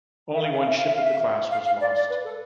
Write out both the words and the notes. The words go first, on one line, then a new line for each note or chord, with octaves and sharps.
Only one ship of the class was lost.
E5
F5
E5
F5
E5
F5
E5
F5
E5
F5
F5
D5
D5
B4
A4